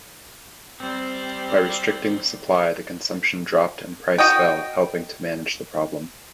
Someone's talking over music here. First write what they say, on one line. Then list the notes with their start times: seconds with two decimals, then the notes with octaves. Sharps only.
By restricting supply the consumption dropped and price fell helping to manage the problem.
0.80 G3 C4 C5 D5
4.18 F#4 D#5 G5